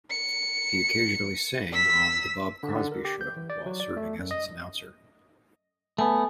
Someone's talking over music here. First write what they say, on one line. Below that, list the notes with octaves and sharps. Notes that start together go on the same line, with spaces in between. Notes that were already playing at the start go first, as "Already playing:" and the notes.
He occasionally sang on "The Bob Crosby Show" while serving as its announcer.
C#7
E6 B6
D3
D3
A#4
G4
G6
E3
D5
F#3
D5
A3
F#2
D#5
A3 B3 G#5